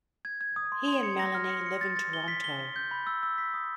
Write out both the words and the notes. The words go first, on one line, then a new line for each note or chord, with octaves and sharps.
He and Melanie live in Toronto.
G#6
G#6
D#6
C6
C6
C#7
A#6
F6
C#7
C#7
A6
A6
G7
B6
G7
B6
G6
B5
E6
E6
B6
D#6